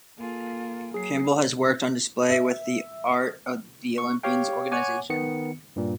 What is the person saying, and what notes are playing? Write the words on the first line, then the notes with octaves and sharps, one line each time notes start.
Campbell has works on display with the Art of the Olympians organization.
A#3 F4 G#4 A4
F#3 G#4 C7
E5
C#6
G4 C#5 F5 G5
C#5 F#5 G#5 D6
D#3 B3 C#7
G2 A#2